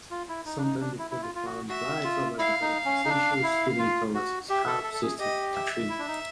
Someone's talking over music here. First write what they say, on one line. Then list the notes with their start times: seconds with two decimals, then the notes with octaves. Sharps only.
Sometime before the Fallon Pride, Robert develops incestuous feelings towards his half-sister Catherine.
0.11 F4
0.29 E4
0.45 D#4
0.58 D4
0.63 D#4
0.81 D4
0.99 E4
1.11 E4
1.22 F4
1.35 F4
1.46 F#4
1.68 F#4 E5
2.04 F4
2.39 E4 F5
2.61 D#4
2.85 C#4
3.05 D#4
3.09 D4
3.43 E4
3.79 F4
4.14 F#4
4.49 G4 E5
4.67 A4
4.83 A4
4.94 A4
5.02 G#4
5.19 G4 D#5
5.54 E5
5.89 E4
5.99 D4
6.07 D#4